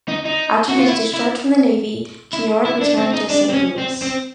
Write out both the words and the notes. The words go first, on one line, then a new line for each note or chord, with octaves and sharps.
After his discharge from the Navy, Keough returned to Saint Louis.
D#4
D#4
F#4
F4
E4
E4
E4
E4
D4
C4
D#4
D4
C4
C#4
C4
C4